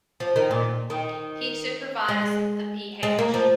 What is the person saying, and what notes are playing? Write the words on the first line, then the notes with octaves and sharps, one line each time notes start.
He supervised the Ph.
F3
D#3
A#2
D#3
G#3
G#3
A#3
F3